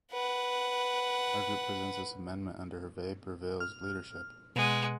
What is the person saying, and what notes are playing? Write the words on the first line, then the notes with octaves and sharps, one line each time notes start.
Our group presents this amendment under Hervé Berville's leadership.
B4 F#5
F6
B2 G#3 F#5